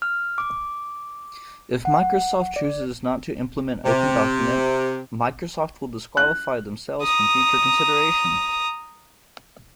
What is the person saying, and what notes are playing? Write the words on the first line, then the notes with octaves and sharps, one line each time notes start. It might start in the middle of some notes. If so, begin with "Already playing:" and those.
If Microsoft chooses not to implement OpenDocument, Microsoft will disqualify themselves from future consideration.
F6
D6
F#5
D5
C3
F#6
A#5 D#6